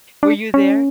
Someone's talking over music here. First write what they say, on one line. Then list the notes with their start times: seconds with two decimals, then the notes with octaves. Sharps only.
Were you there?
0.23 D4
0.54 C#4